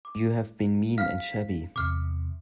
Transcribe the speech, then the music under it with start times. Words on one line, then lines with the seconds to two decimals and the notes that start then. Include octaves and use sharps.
You have been mean and shabby.
0.05 D6
0.98 F5 F6 B6
1.76 E2 C3 D6 F6